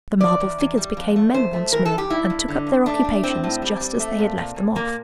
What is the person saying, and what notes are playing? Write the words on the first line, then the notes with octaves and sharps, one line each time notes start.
The marble figures became men once more, and took up their occupations just as they had left them off.
E2 D5
E2
E2
G3
F2
A3
F2 C5
A3
E3 A#4
A4
G2
G4
G2 E4
G2
D3
G2
A3 D4
A3
A2 C4
A2
G3
G3
A3
A#2
A#2
A#2
A#2 A#3